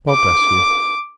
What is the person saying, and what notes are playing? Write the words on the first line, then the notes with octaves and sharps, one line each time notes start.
God bless you!
D6